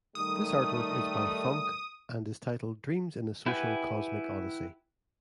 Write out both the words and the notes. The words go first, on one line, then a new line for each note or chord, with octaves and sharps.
This artwork is by :phunk and is titled "Dreams in a Social Cosmic Odyssey".
D#3 G3 A3 D#6
E4 G4 B4 F#5 G#5